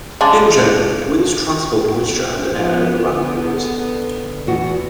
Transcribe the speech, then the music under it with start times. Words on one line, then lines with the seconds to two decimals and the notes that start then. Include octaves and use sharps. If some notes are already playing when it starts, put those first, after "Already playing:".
In general, winds transport moisture and air over land areas.
0.21 C#3 G#3 D4
2.52 G#2 F3 B3
3.00 D3 B3
4.47 E2 F#4